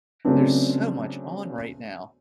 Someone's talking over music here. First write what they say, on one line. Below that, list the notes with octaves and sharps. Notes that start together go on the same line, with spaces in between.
there's so much on right now
C#3 F#3 A3 B3 C4 D4